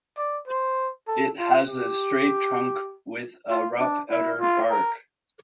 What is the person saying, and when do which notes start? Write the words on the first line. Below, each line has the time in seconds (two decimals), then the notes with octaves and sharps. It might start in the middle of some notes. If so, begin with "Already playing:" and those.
It has a straight trunk with a rough outer bark.
0.17 D5
0.47 C5
1.07 A4
1.39 F4
1.68 G4
3.50 F4
3.80 D4
4.10 E4
4.41 F4
4.71 A#4